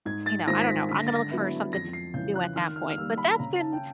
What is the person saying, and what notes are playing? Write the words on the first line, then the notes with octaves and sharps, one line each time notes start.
you know, I don't know I'm gonna look for something new at that point, but that's been,
G#2 G#6
A6
D#3 G#3 C4 F4 A#6
B6
A#6
D3 B6
A#6
A6
A#6
F#3 B3 E4
F2 A#6
C7
C#3 E3 G6
F#6
D#3 F6
F6
F6
G3 A#3 E6
B5
B5
C#3 A#5
A5
G5